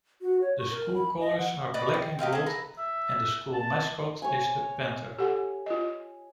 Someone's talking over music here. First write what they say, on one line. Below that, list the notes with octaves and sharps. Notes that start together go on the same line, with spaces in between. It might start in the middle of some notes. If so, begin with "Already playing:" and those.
The school colors are black and gold, and the school mascot is the panther.
F#4
C#5
C#6
A#4
B5
D#5
F#5
B4 D5 D#5 D6
G5
G4 D#5 F5 G5
G#4 A4
B4 A#5
E5
A5
C#5 G#5
G4 A4 F#5
F4 D#5